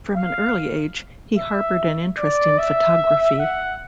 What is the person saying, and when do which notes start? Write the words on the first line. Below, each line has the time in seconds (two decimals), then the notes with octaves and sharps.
From an early age, he harbored an interest in photography.
0.16 F5
1.37 E5
2.18 D5
2.58 E5
3.39 F#5